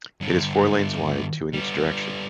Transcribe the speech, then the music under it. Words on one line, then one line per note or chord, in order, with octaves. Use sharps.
It is four lanes wide, two in each direction.
G2 D3
G3 B3